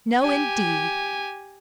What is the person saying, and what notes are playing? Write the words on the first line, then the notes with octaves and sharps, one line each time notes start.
No, indeed!
G4 G#5